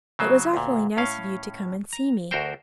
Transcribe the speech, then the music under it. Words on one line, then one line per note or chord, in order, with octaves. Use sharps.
"It was awfully nice of you to come and see me."
C#3 F#3 C5
D2 A#2
A2 C#4 F5
A#5
D2 F#4 A#4 C5 G5